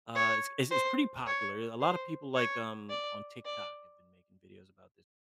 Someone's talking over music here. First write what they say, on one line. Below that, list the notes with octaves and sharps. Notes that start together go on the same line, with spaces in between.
uh, it's it's it's pretty popular a lotta people, like, um, on TikTok have been making videos about this one,
C#5
C5
C#5
C5
C#5
D5
D5